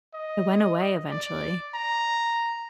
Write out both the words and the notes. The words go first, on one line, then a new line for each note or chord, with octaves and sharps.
it went away eventually.
D#5
D5
A#5